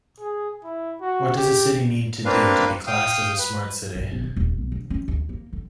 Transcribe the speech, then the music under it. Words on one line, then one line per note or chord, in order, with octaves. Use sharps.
What does a city need to do to be classed as a Smart City?
G#4
E4
F#4
G4
A#3 C4 D4 B4 F5
F5 G5 D#6
B4
A#1
B1
D2
D#1
B1
D3
C#4
D2
A#3
D3